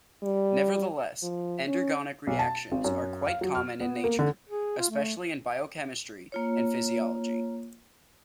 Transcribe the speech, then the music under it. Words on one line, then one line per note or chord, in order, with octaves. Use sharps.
Nevertheless, endergonic reactions are quite common in nature, especially in biochemistry and physiology.
G3
F3
C#4
B1
A5
G#1
F#2
F5
F#3
F6
B3
A#3
D3
G#4
F4
A3
A#3 F4 C#5